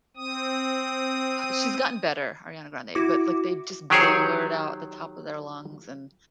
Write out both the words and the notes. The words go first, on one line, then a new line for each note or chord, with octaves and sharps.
she's gotten better, Ariana Grande, but, like, they just blurt out the top of their lungs and
C4 D#6
E4 F#4 D6
D#3 F#3 G4 G#4 C5 C#5